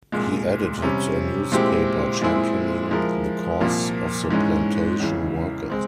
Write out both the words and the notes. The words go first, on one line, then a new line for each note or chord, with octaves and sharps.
He edited a newspaper championing the cause of the plantation workers.
C2 A#2 G#3
C3 G3 C#4
A#2 G#3 C4 E4 G4
A#2 G#3 C4 E4 G#4
F3 G#3 E4 A#4
C2 A#2 F3 A#3
G#2 E3 G#3 C#4
C#2 C#3 E3
G#3 C4